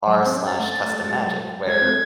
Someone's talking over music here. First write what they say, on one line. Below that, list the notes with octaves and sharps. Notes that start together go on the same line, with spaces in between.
r/custommagic, where,
F#3
C4
C#4
A6
A3
A3
G#3
F#3
G#3
F#3
G#3 G#6
C4
A3